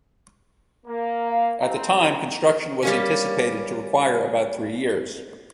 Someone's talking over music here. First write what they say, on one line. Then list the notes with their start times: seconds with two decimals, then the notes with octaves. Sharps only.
At that time, construction was anticipated to require about three years.
0.86 A#3
1.28 F5
1.60 C2 C4 A#5
2.83 G3 A#3 C#4